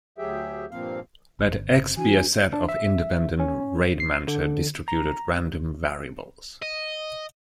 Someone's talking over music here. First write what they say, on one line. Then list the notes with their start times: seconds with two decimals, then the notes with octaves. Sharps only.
Let "X" be a set of independent Rademacher distributed random variables.
0.18 D2 F#3 G4 G#4 E5 G5
0.71 G2 A#2 F3 A#3 C4 F5
1.39 G1
1.97 E3 D4 F#4 G#5
2.53 D4
2.69 E5
3.40 C#4
4.00 C7
4.28 D3
4.88 A#5
6.62 D#5